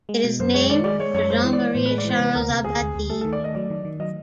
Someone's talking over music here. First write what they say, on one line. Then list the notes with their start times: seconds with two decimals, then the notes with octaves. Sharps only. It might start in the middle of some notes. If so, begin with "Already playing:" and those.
It is named for Jean Marie Charles Abadie.
0.09 G#3
0.24 B2
0.39 F#2 C5
0.54 G#3 C#5
0.70 D#3 D5
0.84 G#3 D5
0.99 G#3 C#5
1.14 F#2 C#5
1.30 G#3 C5
1.44 E3
1.53 D5
1.60 E3
1.75 A2 C5
1.86 B4
1.90 G#3
1.98 D5
2.05 E3 C5
2.19 C3 B4
2.35 D2 A#4
2.50 C3
2.64 D2 G#4
2.80 D2
2.95 D2
3.10 A3 A4
3.21 A4
3.25 D#3
3.33 D5
3.40 A3 D#5
3.55 F#3 D5
3.70 D#3
3.85 D#3
4.00 F#3 D#5